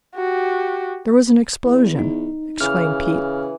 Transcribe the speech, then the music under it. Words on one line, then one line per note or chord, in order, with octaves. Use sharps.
"There was an explosion!" exclaimed Pete.
F#4 G4
E2
D#4
C#3 E3 F6